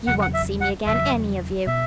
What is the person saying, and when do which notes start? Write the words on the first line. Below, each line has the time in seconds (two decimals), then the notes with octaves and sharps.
You won't see me again, any of you.
0.07 E2 C#3 F#3 F#5
0.22 F#5
0.34 E5
0.61 F#5
0.86 E2 C#3 F#3 E5
1.67 B2 B3 E5